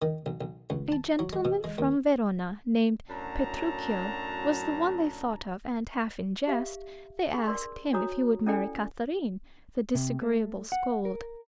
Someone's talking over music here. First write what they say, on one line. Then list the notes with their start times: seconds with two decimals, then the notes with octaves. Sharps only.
A gentleman from Verona, named Petruchio, was the one they thought of, and, half in jest, they asked him if he would marry Katharine, the disagreeable scold.
0.02 D#3
0.26 B1
0.41 B1
0.70 C#2
0.92 A5
1.19 F#3
1.33 G#3
1.45 B2
1.64 G#3
1.78 D#2
3.10 F#2 A2 F#3 D4 A5 A#5
6.47 G4 E5 F5
7.34 D4 G#4
7.46 A#4 D5 C6
7.93 D4 F#4 C#5 A#5 D#6
8.46 C#4 E4 A4 D5 G5 G#5
9.95 C3
10.22 A3
10.72 F#5
11.05 A#4